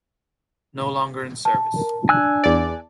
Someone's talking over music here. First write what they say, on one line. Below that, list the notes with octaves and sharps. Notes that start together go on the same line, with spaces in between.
No longer in service.
A5
A#4
D4 G#5 E6 F#6
E2 D5